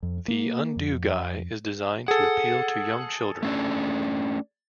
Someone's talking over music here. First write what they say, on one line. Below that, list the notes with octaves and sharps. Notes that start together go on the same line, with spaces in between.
The Undo Guy is designed to appeal to young children.
F2
A#3
F2
G#4 A4 F#5
A3 C#4 D4